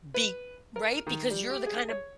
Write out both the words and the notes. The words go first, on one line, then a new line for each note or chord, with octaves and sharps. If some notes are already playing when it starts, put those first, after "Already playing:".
be Right? Because you're the kind of
B4
A#4
D#3
G3
G4
G#4
C#5